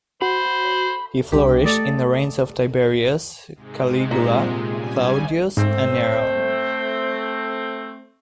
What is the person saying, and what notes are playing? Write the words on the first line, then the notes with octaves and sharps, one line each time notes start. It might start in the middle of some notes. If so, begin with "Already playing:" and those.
He flourished in the reigns of Tiberius, Caligula, Claudius and Nero.
F#4 C5 B5
C2 D4 G4
A3 A4 D5 D#5
G#2 C3 G#3
A#2
C#3 G3 G#5
G#2 A3 C4